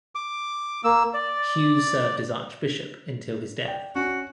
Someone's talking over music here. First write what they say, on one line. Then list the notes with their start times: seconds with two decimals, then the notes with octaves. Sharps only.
Hughes served as archbishop until his death.
0.15 D6
0.84 A#3 E6
1.14 D5
3.65 D5 G5
3.96 C#4 F#4